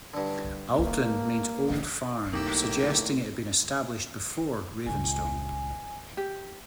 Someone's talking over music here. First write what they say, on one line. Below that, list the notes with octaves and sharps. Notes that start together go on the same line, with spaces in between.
Alton means "old farm", suggesting that it had been established before Ravenstone.
G2 D3
A#3
B1 A2 A#3 D#4 G4 E6
C#2 A#2 G#5
G4